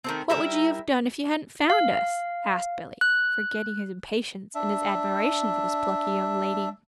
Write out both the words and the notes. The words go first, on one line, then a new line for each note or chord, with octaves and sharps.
"What would you have done if you hadn't found us?" asked Billy, forgetting his impatience in his admiration for this plucky young lady.
D#3 A3 C4
G3 E4 A#4 E5
F5
F#6
D4 E5